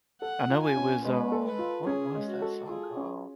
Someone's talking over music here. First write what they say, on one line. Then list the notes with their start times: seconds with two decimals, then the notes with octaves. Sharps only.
I know it was, um What was that song called?
0.21 A4 F#5
0.50 F4
0.63 G#5
0.77 C#4
1.04 G#3 B4
1.32 A4
1.45 B4
1.59 F4
1.87 C#4 G#4
2.15 G#3
2.29 F#4
2.42 A4
2.69 F4 G#4
2.97 C#4